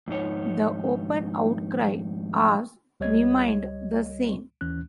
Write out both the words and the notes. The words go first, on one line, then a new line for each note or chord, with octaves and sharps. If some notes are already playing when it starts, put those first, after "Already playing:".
The open outcry hours remained the same.
F2 G#2 D#4 C#5
C#2 G3 C#5 D#5 G#6
D#2 E3 C#4 F#6